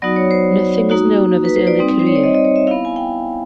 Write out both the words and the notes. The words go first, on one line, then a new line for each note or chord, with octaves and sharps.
Nothing is known of his early career.
F#3 B3 D#4 F#4 D5
C#5
C5
A#3 D#4 F#4
B4
C5
D5
G3 C4 D#4
C5
C#5
D5
D#5
D#5
C#5
E5
B3 E4 F5
G#5
G5